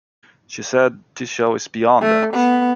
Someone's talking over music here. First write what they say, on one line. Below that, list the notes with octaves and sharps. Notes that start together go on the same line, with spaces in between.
She said, This show is beyond that.
A3
B3